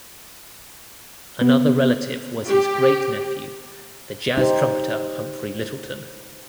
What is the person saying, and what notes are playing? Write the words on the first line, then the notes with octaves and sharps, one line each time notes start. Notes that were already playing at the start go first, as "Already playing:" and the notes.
Another relative was his great-nephew, the jazz trumpeter Humphrey Lyttelton.
B3
G4
D#4 G4 C5